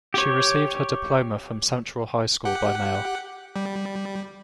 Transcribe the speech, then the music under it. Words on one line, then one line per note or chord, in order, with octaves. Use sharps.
She received her diploma from Central High School by mail.
G4 C#5
G4 F#5
G3